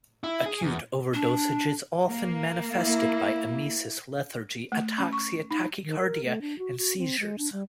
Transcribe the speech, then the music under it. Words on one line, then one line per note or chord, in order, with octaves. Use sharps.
Acute overdosage is often manifested by emesis, lethargy, ataxia, tachycardia and seizures.
E4
G#4
E2
D4
A#3
E4
A3
C#4
C#6
D#4
D#3
A#4
A3
D4
F#4
F#4
C4
G#3
D4
G3